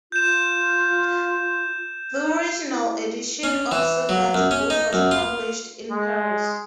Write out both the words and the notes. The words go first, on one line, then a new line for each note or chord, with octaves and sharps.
The original edition of Sagard's book was published in Paris.
F4 G6 E7
E4
C#4
E3
F#3
F#2
C#4
D#4
F#2
F4
G#3